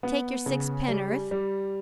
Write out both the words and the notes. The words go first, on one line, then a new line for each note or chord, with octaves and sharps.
Take your sixpenn'orth.
B3
C#3
G3
G3